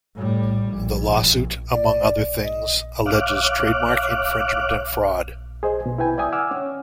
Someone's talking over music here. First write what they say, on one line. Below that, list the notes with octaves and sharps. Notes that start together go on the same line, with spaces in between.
The lawsuit, among other things, alleges trademark infringement and fraud.
A2 G3
A#1
D5
D#5
C#5 E5 F5 D6 F6 F#6
G#4 C5 D#5
B2
E4 B4 G5 G#5
D5 E5 G5 G#5 D#6
F#5 D6 E6 F6
C#4